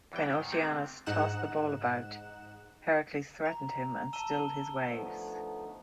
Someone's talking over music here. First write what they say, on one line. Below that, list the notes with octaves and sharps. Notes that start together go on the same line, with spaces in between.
When Oceanus tossed the bowl about, Heracles threatened him and stilled his waves.
E2 E3 G3 G5
G#2 D#3
C3 G#3 A3 C4
G#2 D#4 F#5 F#6 E7
A#5
A5 E6 D#7 G7
D3 F3 A3 B3 D#4